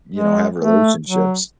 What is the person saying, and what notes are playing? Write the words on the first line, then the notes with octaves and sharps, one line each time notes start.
you know, have relationships.
G#3
A3
F#3